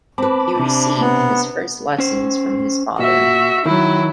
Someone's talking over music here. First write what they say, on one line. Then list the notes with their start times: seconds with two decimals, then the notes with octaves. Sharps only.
He received his first lessons from his father.
0.18 C4 B4 A5 B5 D6
0.55 C3 D4
1.01 B3
1.98 C#4 C5
2.99 A#2 F#4 E5
3.66 D#3 F#3 E4